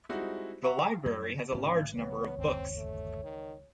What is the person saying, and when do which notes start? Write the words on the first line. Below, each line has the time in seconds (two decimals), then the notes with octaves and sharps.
The library has a large number of books.
0.09 G3 G#3 C4 D#4 E4 F#4
0.63 E5 F#5 A#5 C#6
1.06 F#2 F#3 G3
1.52 A1 D#2 G#2 C3 C#4
1.97 C#2 E3 G#3 B3 C#5
2.38 G1 D#2 C4
2.77 A3
3.24 D#3